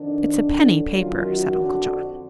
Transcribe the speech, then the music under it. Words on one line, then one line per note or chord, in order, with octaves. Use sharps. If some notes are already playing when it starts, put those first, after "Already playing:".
"It's a penny paper," said Uncle John.
Already playing: F2 D#3 D4
F#2 D3
F#2 D#3 F4
F#4
F2 D3